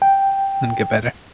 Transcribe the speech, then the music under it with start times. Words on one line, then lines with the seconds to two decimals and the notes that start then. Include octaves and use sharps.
and get better.
0.02 G5